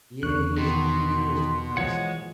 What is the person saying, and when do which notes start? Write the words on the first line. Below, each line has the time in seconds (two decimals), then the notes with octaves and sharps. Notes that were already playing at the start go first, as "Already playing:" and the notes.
Yeah, he was he he was just not the same.
0.23 E2 C#6 F#6
0.57 B2 D#3 C6
1.77 E3 F3 G#3 C#5 F#5